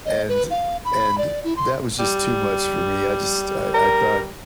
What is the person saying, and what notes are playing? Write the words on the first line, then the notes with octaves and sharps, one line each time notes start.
and and that was just too much for me, I just I I thought
D#5
B4
F5
B5
D5
E4
C6
G3
A#4